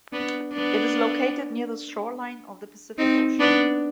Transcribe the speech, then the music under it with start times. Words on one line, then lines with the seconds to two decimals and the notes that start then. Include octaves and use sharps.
It is located near the shoreline of the Pacific Ocean.
0.12 B3 D4
0.53 B3 D4
2.98 C4 D#4
3.40 B3 D4